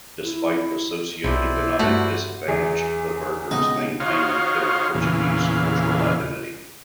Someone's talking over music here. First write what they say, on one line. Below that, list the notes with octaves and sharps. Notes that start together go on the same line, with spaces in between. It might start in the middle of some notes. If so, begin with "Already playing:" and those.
Despite the socio-economic disadvantage, the Burghers maintained their Portuguese cultural identity.
E4
B1 E4 C5 D5
G2 A3 F#4
E2 G#4
C#2 B2 D#4
D#4 F4 F#4 C5 C#5 F5
E2 A#2 C#3 E3 F5